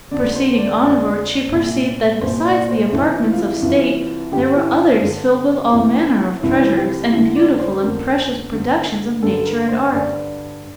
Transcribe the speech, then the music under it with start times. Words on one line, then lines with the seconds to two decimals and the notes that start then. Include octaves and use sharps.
Proceeding onward, she perceived that besides the apartments of state there were others filled with all manner of treasures, and beautiful and precious productions of nature and art.
0.11 F2 D3 D5
0.35 C5
0.58 D5
0.81 F2 D3 D5
1.52 C2 A#2
2.21 C2 C5
2.27 A#2
2.45 D5
2.69 C5
2.92 C2 C3 E3 D4
3.15 E4
3.31 F4
3.38 E4
3.62 C2 C3 E3 F4
4.32 G2 D3 G4
4.56 E4
4.78 D4
5.01 G2 D3
5.73 C2 C3 E3
6.42 C2 C3 E3 E4
6.52 D4
6.61 E4
6.77 G4
7.12 F2 D3 E4
7.36 D5
7.47 D5
7.60 C5
7.82 F2 D3 A#4
8.52 G2 D3
9.23 G2 D3 A4
9.46 A#4
9.69 C5
9.92 G2 D3 D5